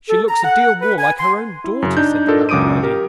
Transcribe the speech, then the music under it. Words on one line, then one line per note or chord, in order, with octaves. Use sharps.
'She looks a deal more like her own daughter,' said the married lady.
A4
A#5
F#5
B4
G#5
C6
E4
F#2 C#3
D4 D#4 G6
D4 D#4 F4 A4 A#4
C#2 F#2 D6 D#6 D7 D#7
G4 A#4